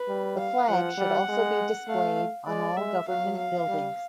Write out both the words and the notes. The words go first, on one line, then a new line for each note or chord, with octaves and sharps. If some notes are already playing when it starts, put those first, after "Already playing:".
The flag should also be displayed on all government buildings.
Already playing: B4
G3
F5
F3 F#5
G3
G#3
A3 F5
G#3 D5
G#3 E5
F#3 F5
F5
G3